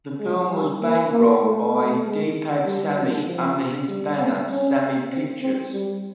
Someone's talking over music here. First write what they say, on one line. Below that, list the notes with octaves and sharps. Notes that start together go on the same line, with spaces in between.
The film was bankrolled by Deepak Sami under his banner Sami Pictures.
G#3
G3
A#3
A#3
A3
A3
G#3
G3
F#3
F3
G3
C4
C#4
C4
C4
G3